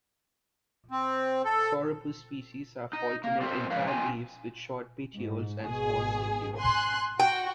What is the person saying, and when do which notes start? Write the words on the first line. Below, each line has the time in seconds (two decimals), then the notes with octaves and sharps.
Sauropus species have alternate, entire leaves with short petioles and small stipules.
0.91 C4
1.45 A4
2.93 D#4
3.24 A#3
3.41 C4 F4 A4 A#4 C5
3.71 G#2 F3 B4 F5
3.87 C#4 F4 G5 G#5 A#5
5.15 G#2
5.63 G#1 B2 G#4
6.59 G#5 C6 F#6
7.20 F#4 G5